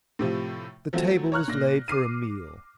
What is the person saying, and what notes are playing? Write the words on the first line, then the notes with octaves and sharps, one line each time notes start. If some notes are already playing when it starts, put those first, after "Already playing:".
The table was laid for a meal.
A2 C3 F3
F3 F#3 A3 C4 F#4
C#5 A#5 C#6 F6 F#6
A#2 A#6
D6 F6 C7 D#7